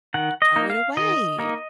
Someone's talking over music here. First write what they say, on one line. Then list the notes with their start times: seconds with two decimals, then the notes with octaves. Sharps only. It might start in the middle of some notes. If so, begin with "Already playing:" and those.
Throw it away.
0.14 D#3 F#5
0.42 D#5
0.56 A#3 D#4
0.70 F5
0.97 D#3 D#5
1.39 A#3 D#4